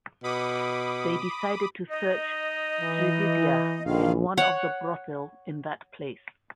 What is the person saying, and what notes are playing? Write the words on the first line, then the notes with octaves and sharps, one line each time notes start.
They decided to search Srividya in one of the brothel in that place.
B2 B5 D6 D#6
D#4 D#5
E3
A#1 D3 D#3 F5
C#5 F#5